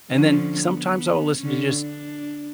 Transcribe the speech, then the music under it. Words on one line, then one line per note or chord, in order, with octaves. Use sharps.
And then sometimes I'll listen to just,
D3 F3 C#4
B3
D3 C#4
D4